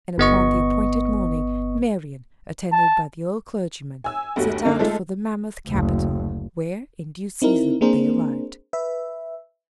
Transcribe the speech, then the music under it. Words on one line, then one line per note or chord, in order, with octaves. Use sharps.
And upon the appointed morning Marian, attended by the old clergyman, set out for the mammoth capital, where, in due season, they arrived.
G1 B3 D#5 C#6
A5
G#5 E6
G1 D#2 A3 F#4
F#2 D3 A#3 D#4
G#3 A3 D#4 F4 A4
F#1 D2
C4 D#4 E4 A#4
A#3 C4 D4 G#4 A#4 C5
B4 E5